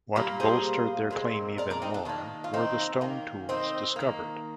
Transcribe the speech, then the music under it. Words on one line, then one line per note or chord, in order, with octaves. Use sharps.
What bolstered their claim even more were the stone tools discovered.
A#2 G3 A#3 G4 A#4
G#4 C5
A#2 G#3 C4
A#4 D5
A#4 D5
C4 D#4
D4
D#3 A#3 D4
F4
C4 D#4
D#3 A#3
C4 D#4
D#3 A#3